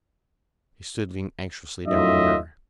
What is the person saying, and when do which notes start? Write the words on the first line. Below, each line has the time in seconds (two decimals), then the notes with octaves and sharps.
He stood looking anxiously down on her.
1.86 F#2 A2 D#4 F4 D#5 E5